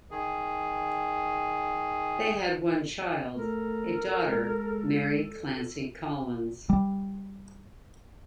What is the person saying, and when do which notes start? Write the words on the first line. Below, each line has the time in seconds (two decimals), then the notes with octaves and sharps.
They had one child: a daughter, Mary Clancy Collins.
0.11 D#3 G#4
3.37 A3 A4 A#4
4.27 G#3
6.69 G3